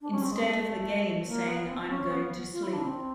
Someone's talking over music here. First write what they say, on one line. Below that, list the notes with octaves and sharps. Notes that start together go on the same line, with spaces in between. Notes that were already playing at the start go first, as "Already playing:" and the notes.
Instead of the game saying I'm going to sleep.
D4
C#4
C4
G#3
A3
A#3
B3
C4
C#4
B3
F4
E4
D4
C4